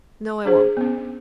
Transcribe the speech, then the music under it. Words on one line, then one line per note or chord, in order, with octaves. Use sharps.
No, I won't.
D4 G#4 C5
B3 C#4